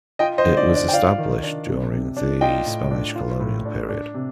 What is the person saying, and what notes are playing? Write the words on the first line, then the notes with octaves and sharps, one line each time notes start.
It was established during the Spanish colonial period.
F4 D#5 G5
C5 D#5
D3
D5
D4
D5
G5
F4 D5 F5
D#3
D4
C3
C3
D4
F4 D#5 G5
A2
D4
F4
A2
D4
D4
C3